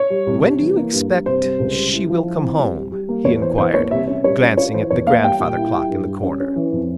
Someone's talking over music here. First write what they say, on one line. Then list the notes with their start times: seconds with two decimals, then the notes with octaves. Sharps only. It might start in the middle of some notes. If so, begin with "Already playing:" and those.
"When do you expect--she will come home?" he enquired, glancing at the grandfather clock in the corner.
Already playing: C#5
0.10 G3
0.27 C2
0.43 C2
0.60 E3
0.76 A#3
0.93 G2
1.09 G2
1.26 C3 C5
1.43 G3
1.59 C#2
1.75 G3
1.93 E4
2.09 F3
2.26 E4
2.43 C4
2.59 G3
2.76 G3
2.92 G3
3.09 A#3
3.25 E2 C#5
3.42 E3 C5
3.58 E2 C5
3.74 A#3 C#5
3.91 C2 E5
4.08 C#4
4.24 G3 C#5
4.41 C#4
4.57 F4 C#5
4.74 E3 C5
4.90 E2 C#5
5.07 A#3 F5
5.24 G3 G5
5.40 A#2
5.57 E4
5.73 G3
5.90 G2
6.06 G3
6.23 C#4
6.40 C#4
6.56 E3
6.73 F2